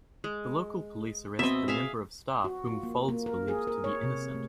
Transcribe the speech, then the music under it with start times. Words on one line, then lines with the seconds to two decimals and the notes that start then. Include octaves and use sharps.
The local police arrested a member of staff whom Faulds believed to be innocent.
0.24 G#3
1.39 B2 C4 D#5 E5
1.68 G#4 E5 F5
2.44 F#4
2.67 F4
2.83 A#3
3.08 A#3
3.26 A#4
3.48 G#4
3.67 A#4
3.84 C#5
4.03 C3
4.35 A3